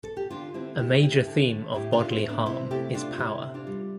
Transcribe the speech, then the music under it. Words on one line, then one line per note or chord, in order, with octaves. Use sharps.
A major theme of "Bodily Harm" is power.
A4
G4
D3 D4 F4
D3 C4 E4
A3 E4 G4
D3 E4 G4
D3
A3
A2 E4 G4
D4 F4
A3
C4 E4
A2
B3 D4
C3 C4 E4
A3 E4 G4
C3 D4 F4
C3 E4 G4
C3
D4 F4
G3